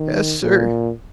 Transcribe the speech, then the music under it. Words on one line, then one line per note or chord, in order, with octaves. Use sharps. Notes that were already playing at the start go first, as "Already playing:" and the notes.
"Yes, sir."
Already playing: D#3
A#2